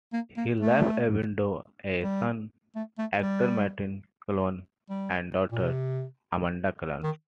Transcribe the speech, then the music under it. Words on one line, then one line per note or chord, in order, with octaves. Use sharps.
He left a widow, a son, actor Martin Clunes, and a daughter, Amanda Clunes.
A#3
A#3
A3
G3
A3
A3
G3
G3
A#2
C3
D#3